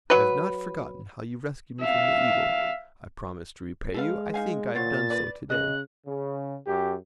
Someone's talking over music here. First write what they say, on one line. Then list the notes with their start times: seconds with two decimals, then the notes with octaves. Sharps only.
"I have not forgotten how you rescued me from the eagle; I promised to repay you, I think I have done so to-day."
0.10 F#3 B4
1.81 E5 F5
3.94 G#3 A4 B4 F5
4.34 D#4 F5 G#5
4.75 A#2 F#3 C5 C#5 A6
5.10 B4 D5
5.50 C#3 D#5 F#6
6.07 C#3
6.66 F#2 G4